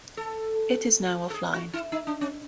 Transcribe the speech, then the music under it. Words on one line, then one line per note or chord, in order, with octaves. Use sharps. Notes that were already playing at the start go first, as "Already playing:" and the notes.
It is now offline.
A4
A4
G#4
F#4
E4
D#4
D4
C#4